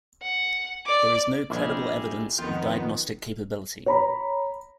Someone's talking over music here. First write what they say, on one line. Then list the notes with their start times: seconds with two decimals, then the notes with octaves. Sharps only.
There is no credible evidence of diagnostic capability.
0.22 F#5
0.86 D5 D6
1.50 A#1 G3 G#3 E4
2.38 F2 D#3 B3 F4 G5
3.86 C#5 A#5 B5